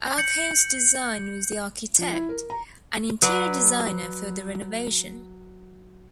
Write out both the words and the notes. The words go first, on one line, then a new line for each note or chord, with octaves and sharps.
Arkos Design was the architect and interior designer for the renovation.
G6 C#7 F#7
F3
E4
A#4
A#5
F#3 B4 D5